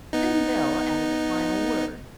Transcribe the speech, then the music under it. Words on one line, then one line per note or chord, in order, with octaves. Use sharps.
Then Belle added a final word.
B3 D#4